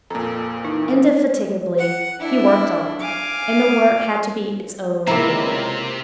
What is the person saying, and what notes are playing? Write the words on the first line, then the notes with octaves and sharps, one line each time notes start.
Indefatigably he worked on, and the work had to be its own reward.
F2 A#2 A4 A#5
E3 D#4
F#5
D4 E4
F5 G#5 D6
C#2 C3 A#3 E4 A#5